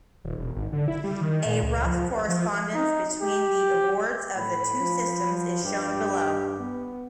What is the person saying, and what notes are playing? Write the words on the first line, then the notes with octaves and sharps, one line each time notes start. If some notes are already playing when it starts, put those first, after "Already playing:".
A rough correspondence between the awards of the two systems is shown below.
D#1
E1
G#1
D3
E4
G3
D#3
A#2
C#2
F3
C2
F3
D#4
G4
A2 B5
F3
G2 G4
B3